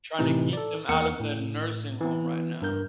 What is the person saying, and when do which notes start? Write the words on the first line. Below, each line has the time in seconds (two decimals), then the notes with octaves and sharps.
trying to keep them out of the nursing home right now.
0.19 A2 C3 E3 D#4
0.53 A4 D5
0.89 E2 A#3 A#4 F#5 G5 C#7
1.20 A2
2.00 E3 B3
2.62 G2 A#4 G6